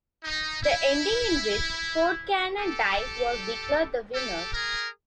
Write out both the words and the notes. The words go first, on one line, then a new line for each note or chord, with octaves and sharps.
The ending in which Podkayne dies was declared the winner.
D#4
E4
G4 A4
G4 A4
G#4 A#4